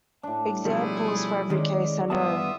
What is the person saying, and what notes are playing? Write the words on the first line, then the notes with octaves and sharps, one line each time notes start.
Examples for every case are known.
A2 D4
B2 F3 G3 A3 E4 G#4
D#3 G#3 C#4 D5
G2 B3 F4 E5 A5 D#6